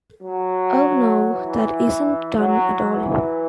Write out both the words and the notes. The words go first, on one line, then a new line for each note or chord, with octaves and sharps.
Oh, no, that isn't done at all.
F#3
E3
F#3
E3